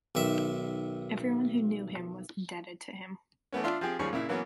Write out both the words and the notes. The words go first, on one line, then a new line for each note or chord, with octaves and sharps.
Everyone who knew him was indebted to him.
B1 D#3 E5
E3 A3 B3 C#4
D4 F4 E5 C6
F3 C4 G4 G#4
D#2 F3 G3 C#4 G#4 C#6
A#2 C#3 E4
E3 F#3 A#3 B3 C#4